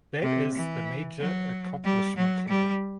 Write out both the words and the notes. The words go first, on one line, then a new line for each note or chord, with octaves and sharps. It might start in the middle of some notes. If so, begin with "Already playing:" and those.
That is the major accomplishment here.
C3
E3
F#3
G3
F#3
G3